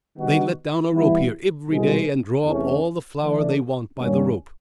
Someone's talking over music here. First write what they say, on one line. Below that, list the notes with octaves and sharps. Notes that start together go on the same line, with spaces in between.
"They let down a rope here every day, and draw up all the flour they want by the rope."
D#3 G3 B3 D#4 F#4
E3 G3 B3 E4
C2 B2 G#3
E2 C3 E3 A3 C#4
E3 A3 D4
G2 D#3 G3 A#3 C#4